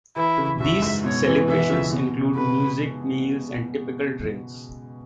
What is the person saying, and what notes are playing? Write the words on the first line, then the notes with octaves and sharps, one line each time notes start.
These celebrations include music, meals and typical drinks.
E3 E4
C#3
F#2 E5
G#2
B2 C#5
E3
E3 E5
C#3
B2
C#3 B4